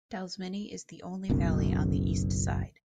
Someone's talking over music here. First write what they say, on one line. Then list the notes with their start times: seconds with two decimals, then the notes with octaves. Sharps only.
Dalsmynni is the only valley on the east side.
1.30 F#1 B1 F#2